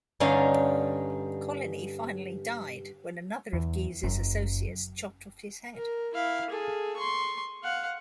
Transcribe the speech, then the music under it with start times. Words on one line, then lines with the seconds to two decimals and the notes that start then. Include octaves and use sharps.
Coligny finally died when another of Guise's associates chopped off his head.
0.20 G2 D3 C#4 D#4 F5 G#5
3.53 E2
4.03 F#1 F#2
5.75 A#4
6.14 E4 F5
6.50 G#4 A4
6.96 C6 C#6
7.63 F5 F#5